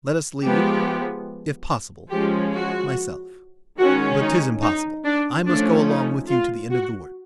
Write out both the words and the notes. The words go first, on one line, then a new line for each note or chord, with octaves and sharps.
Let us leave, if possible, myself:--But 'tis impossible,--I must go along with you to the end of the work.
F3 G#3 B3 G4
F3 G#3 C#4 G4
F#4
D#3 G#3 C#4 F#4
D#4
D#4
D4
F3 A3 C#4 D4
D#4
F4
F#4